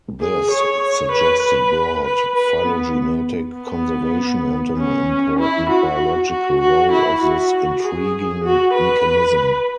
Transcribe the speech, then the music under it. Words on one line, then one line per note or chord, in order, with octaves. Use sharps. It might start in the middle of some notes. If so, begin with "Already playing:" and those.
This suggested broad phylogenetic conservation and an important biological role of this intriguing mechanism.
G#4
C#5
B4
B4
B4
B4
B3
B3
C#4
E4
F#4
F#4
F#4
E4
F#4
G#4
F#4
B4